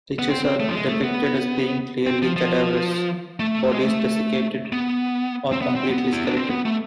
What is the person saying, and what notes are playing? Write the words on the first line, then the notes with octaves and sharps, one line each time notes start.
Liches are depicted as being clearly cadaverous, bodies desiccated or completely skeletal.
B3
C4
C4
A3
F3
G#3
A3
B3
C4
F3
F3
A3
G#3
A3
B3
C4
B3
C4
B3
E4
D4
C4
B3
A3